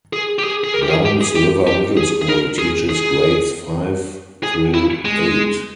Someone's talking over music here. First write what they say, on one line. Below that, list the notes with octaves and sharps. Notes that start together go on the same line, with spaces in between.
Browns River Middle School teaches grades five through eight.
G#4
G4
G#4
G#4
A#4
G4
G#4
G4
G#4
G4
G4
G#4
G#4
A#4
G#4
G#4
G#4
E4
G#3